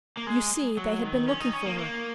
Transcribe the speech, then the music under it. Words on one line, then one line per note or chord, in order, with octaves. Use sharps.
You see, they had been looking for her.
A#3
G#3
F#3
D#3
C#4
D#4
C#4
A#3
A#3